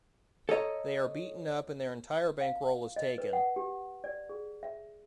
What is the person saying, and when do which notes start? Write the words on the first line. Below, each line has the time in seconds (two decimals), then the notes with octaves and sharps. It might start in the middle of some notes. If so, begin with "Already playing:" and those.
They are beaten up and their entire bankroll is taken.
0.49 A4 C#5 D#5 A#5
2.41 F5
2.96 D#5
3.18 B4
3.33 F#5
3.56 G4
4.04 D5
4.29 G#4
4.63 E5